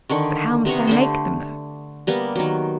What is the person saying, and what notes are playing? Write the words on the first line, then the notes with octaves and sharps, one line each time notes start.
'But how must I make them know?
D3 D#3 C#6
C3 B3 A#5 C#6
D3 A3 C5
G3 A#3 B3
D#3 F#3